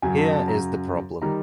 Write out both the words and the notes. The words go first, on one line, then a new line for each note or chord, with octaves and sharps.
Here is the problem.
F#2 C#3 F#3 G#5
A5
A5
A#5
D#3 G3 A#5